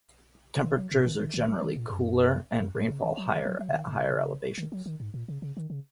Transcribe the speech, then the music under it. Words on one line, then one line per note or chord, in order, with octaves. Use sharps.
Temperatures are generally cooler and rainfall higher at higher elevations.
D#3
F#3
A#2
D#3
D#3
D#3
F#3
D#3
A#2
F#2
F#2
G#2
C#3
D#3
F#3
D#3
F#3
F#3
C#3
D#3
C#3
D#3
F#3
D#3
G#2
A#2
C#3
C#3
D#3
C#3